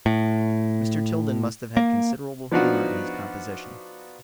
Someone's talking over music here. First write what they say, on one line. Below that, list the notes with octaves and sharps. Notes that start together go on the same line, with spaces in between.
Mr. Tilden must have had considerable humor in his composition.
A2
A#3
F3 B3 D4 D#4 F4 F#4